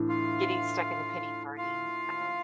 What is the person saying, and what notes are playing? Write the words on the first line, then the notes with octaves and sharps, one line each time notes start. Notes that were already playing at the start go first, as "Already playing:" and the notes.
getting stuck in a pity party um,
Already playing: A2 E3 D4
F4 F5
F4 F5